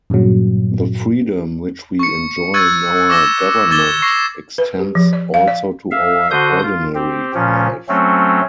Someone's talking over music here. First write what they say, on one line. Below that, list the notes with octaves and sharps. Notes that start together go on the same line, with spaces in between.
The freedom which we enjoy in our government extends also to our ordinary life.
G2 A#2 C#3 F#3
C#6 C#7
C#6 E6 F#6 G#6 A6 D#7
C#6 D6 E6 A#6 E7 G7
D6 G#6 A6 E7 G7
C#6 A#6 C7
B4
G4
F3
D5
F5
D5
E5 F5
D3 F#4 C5 C6 D#6 G6
F4
C4 G4
A#2 F3 C#4
F#3 A3 C4 C#4